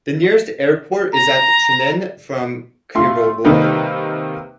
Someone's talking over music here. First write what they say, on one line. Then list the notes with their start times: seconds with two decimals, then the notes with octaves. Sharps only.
The nearest airport is at Chennai, from Cuddalore.
1.12 A#5
2.95 A3 F4 C6
3.44 C3 D#3 G3 A#3 D#4 B4